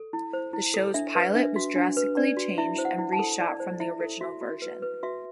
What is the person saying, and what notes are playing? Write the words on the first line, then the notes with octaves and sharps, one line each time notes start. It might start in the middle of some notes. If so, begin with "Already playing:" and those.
The show's pilot was drastically changed and reshot from the original version.
Already playing: A4
E4
C5
E4
A4
D4 E5
B4
D4 E5
F#4
D4
B4
D4 D5
F#4
E4 E5
C5
F#5
E4
A5
A4
E4 D5
C5
E4 E5
A4
F#4 E5
F#4
B4
B4
F#4 E5